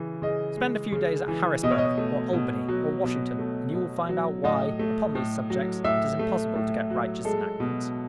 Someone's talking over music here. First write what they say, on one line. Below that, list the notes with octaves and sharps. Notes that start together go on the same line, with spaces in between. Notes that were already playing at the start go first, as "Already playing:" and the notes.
Spend a few days at Harrisburg, or Albany, or Washington, and you will find out why, upon these subjects, it is impossible to get righteous enactments.
Already playing: C#3 E3
C#3 D#5
G#3
C#3
E3
B2 D#5
C#5
D#5
A3
B2
F#3
B2
A3
B2
F#3
A2 D#5
A3
A2
F#3
A2 E5
A3
A2
F#3
G#3 A4
B2